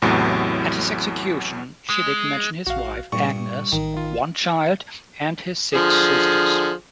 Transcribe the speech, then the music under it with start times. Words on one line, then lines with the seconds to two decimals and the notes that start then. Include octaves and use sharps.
At his execution Chidiock mentions his wife Agnes, one child, and his six sisters.
0.02 A1 E2 A2 C3 F#3
1.89 G#3
2.67 A#1 F#4 F5
3.12 G2 A#2 C#6
3.72 A1 D#3
3.97 F4
5.74 D3 F3 G#4